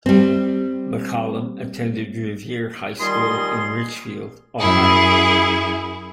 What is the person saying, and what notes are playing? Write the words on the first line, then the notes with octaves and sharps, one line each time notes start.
McCollum attended Revere High School in Richfield, Ohio.
G3 C4
D#2 G3 F4 G#4 D#5 C6
F#2 E4 G#4